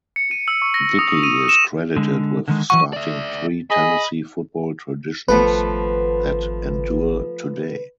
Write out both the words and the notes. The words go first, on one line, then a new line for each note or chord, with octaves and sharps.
Dickey is credited with starting three Tennessee football traditions that endure today.
C#7
D#7
E6
C#6
A#6
D#6
D#7
E7
D3 G#3
D3 D#3 G#3
E3 F#3 F#5 C#6
D5 E5
G#4 D#5 B5
G#1 F3 A3 B3 B4